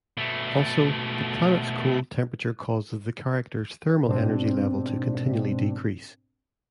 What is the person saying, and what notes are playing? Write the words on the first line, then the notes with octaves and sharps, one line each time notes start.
Also, the planet's cold temperature causes the characters' thermal energy level to continually decrease.
B2 A3
G#2 B2 C4 D4